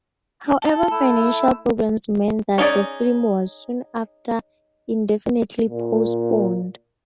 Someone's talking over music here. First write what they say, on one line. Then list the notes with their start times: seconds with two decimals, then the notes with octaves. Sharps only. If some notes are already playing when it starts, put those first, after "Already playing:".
However financial problems meant that the film was soon after indefinitely postponed.
0.62 A4
0.91 A3 E4 E6
2.58 C#4 D#4 G#4 A#4 D5
5.69 A#2